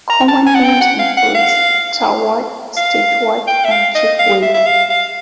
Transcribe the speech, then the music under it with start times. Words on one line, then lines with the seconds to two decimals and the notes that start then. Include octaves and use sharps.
Common names include starwort, stitchwort and chickweed.
0.10 A#5
0.28 A5
0.47 G#5
0.55 F#5
0.64 G5
0.81 F#5
0.99 F5
1.18 F#5
1.35 F5
2.77 F5
3.47 G5
3.65 E5
3.71 F5
3.95 D#5
4.19 F5
4.42 E5
4.54 E5
4.66 F5
4.90 F5